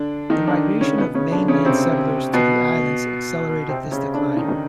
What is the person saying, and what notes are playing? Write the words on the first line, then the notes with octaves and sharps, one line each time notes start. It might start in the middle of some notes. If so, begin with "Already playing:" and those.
The migration of mainland settlers to the islands accelerated this decline.
Already playing: D3 D4
D#3 D#4
D3 D4
C#3 C#4
B2 B3
C#3 C#4
D3 D4
C#3 C#4
C3 C4
B2 B3
C3 C4
C#3 C#4
D3 D4
D#3 D#4